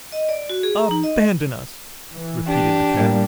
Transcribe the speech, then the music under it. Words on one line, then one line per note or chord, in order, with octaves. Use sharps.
"Abandon us," repeated the Cat.
D#5
D5
F#4
G#4
A#5
D#4
D#5
E3
D4 G4
A2 G3 A#3